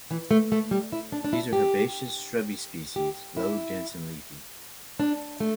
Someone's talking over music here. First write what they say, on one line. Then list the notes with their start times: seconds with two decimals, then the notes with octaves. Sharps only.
These are herbaceous, shrubby species, low, dense and leafy.
0.11 E3
0.31 A3
0.52 A3
0.71 G3
0.92 E4
1.12 D4
1.24 D4
1.33 E4
1.53 G4
2.96 G4
3.37 E4
5.00 D4
5.40 A3